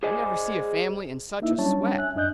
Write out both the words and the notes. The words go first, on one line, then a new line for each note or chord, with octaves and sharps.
I never see a family in such a sweat.
G#4 C5 D5 D#5 G#5
A#3 D#4 E4 E5
F#3 G3 C#4 D4 C#5 A5
E5 G#5 F#6
F#2 D4 D#5 F#6 G6